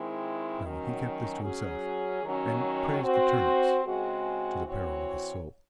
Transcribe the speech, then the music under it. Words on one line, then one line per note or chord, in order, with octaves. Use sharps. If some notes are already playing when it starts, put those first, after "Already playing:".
No, he kept this to himself, and praised the turnips to the peril of his soul.
Already playing: D#3 G#3 C4 E4
D#3 F#3 C#4
F#3 C#4 G#4
D#3 F#3 C#4
C4 F#4 C5
C#3 G#3 C4 F#4
E3 C4 F#4 C#5